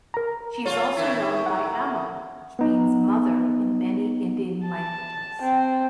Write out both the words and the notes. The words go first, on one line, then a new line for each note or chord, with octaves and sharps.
She is also known by Amma, which means 'Mother' in many Indian languages.
A#4 A#5
C#3 F4 C#5
A2 D#3 E4
F#5
B3 D#4
A5
C4